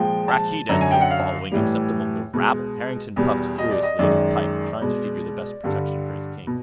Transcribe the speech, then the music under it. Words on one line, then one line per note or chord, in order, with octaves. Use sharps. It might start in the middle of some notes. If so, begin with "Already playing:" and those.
"Rakkeed has no following, except among the rabble." Harrington puffed furiously at his pipe, trying to figure the best protection for his king.
Already playing: A#2 F3 G#3 G5
A5
F#2 D3 F#3 A#5
G#5
G5
F#5
F5
A2 E3 G3
B2 G#3
E2 B2 G3
D#5
D5
D#5
F#2 D#3 G#3 D5
B2 G#3
G2 D3 G3
B2